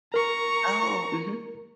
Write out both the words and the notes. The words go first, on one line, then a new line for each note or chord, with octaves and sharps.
Oh, mhm.
A#4 A#5 C#6